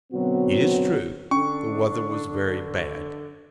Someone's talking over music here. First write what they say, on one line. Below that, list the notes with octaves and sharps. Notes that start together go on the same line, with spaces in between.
It is true the weather was very bad.
B2 D3 F#3 B3 C4 F#4
D3 C#4 D4 C#6